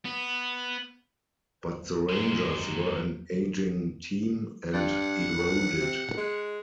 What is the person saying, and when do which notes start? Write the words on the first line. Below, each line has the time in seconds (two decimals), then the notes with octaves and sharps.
But the Rangers were an aging team, and eroded.
0.05 B3
2.09 F#2 G#3
4.74 G2 F#5
5.37 C#2
5.81 C3
6.18 G#3